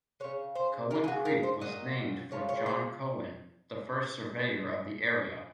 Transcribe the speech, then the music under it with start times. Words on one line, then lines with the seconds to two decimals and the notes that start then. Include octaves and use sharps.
Cowan Creek was named for John Cowan, the first surveyor of the area.
0.20 C#3 G#3 C#5
0.55 C5
0.90 C#3 A#4
0.95 G#3
1.04 G#4
1.08 F#4
1.25 A#4
1.43 C5
1.60 A#2 F#3 D#5
2.31 C#3 F3 G#3 C#5
2.49 C#5
2.66 C5